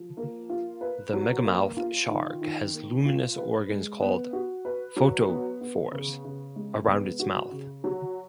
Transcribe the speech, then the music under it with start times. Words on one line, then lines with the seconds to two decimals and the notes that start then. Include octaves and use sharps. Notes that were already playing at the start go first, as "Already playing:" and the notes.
The megamouth shark has luminous organs called photophores around its mouth.
Already playing: F3
0.17 A#3
0.49 F4
0.81 B4
1.14 F#3
1.45 A#3
1.77 F4
2.10 D#3
2.41 D#3
2.74 A#3
3.05 F4
3.37 B4
3.69 G#3
4.01 B3
4.33 F#4
4.65 B4
4.96 F#3
5.28 B3
5.61 B3
5.92 C#3
6.25 C#3
6.56 G#3
6.88 B3
7.20 F#4
7.51 C#3
7.84 F#3